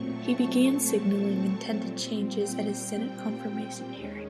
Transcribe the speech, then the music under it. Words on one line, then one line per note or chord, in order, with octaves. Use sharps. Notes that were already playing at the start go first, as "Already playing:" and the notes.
He began signaling intended changes at his Senate confirmation hearing.
Already playing: A#2 F#3 A3 C4 C#6
A5
A5
A#2 G3 C4
G5
D#2 D#3 G#3 C#4